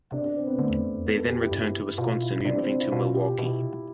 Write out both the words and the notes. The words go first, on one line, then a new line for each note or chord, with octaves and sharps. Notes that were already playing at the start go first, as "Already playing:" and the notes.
They then returned to Wisconsin, moving to Milwaukee.
C3 D4
D4
C4
B3
D3 A3
E2
F2
E2
F2 B3
A4
G4
E4
G2
B2 F4
E4
C3 D4
C4
D4
E4
B2 F4
G4
B2 E4
C3